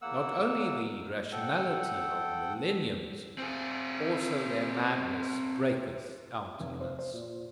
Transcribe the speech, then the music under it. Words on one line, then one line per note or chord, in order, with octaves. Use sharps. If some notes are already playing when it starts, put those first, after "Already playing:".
Not only the rationality of millenniums--also their madness, breaketh out in us.
E2 A#3 F#5 E6
A4 F#5 G5
C4 G#4
F1
C5
C5
A#2